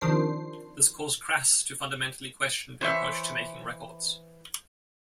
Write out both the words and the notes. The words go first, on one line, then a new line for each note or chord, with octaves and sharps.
This caused Crass to fundamentally question their approach to making records.
C3 D#3 F3 D4 C5 C7
E3 C5 C#5 E5